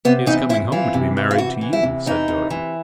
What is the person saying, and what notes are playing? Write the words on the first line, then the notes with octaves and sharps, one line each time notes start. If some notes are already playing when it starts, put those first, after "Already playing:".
"He is coming home to be married to you," said Durham.
C3 B3
E3 D#4
C3 E4
E3 F4
C3
E3
F4
C3 F#4
E3
E4
C3
E3 D#4
C3
E3